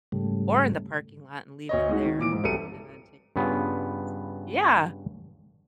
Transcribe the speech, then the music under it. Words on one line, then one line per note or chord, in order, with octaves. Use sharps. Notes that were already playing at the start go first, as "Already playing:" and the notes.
or in the parking lot, and leave it there, and then take that across. Yeah.
G#2 C#3 G3 A3
D2 C#5 D#5
G#3 D#4 F#4
D#3
A#2 E3 D6 D7
G#2
C2 F#2 A4 C#7 D#7
G2 C#3 B3 F4